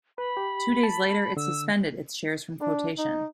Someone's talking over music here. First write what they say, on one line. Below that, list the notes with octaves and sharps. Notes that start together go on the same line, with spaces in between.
Two days later, it suspended its shares from quotation.
B4 B5
G4
A5
D3 E6
D4
D#4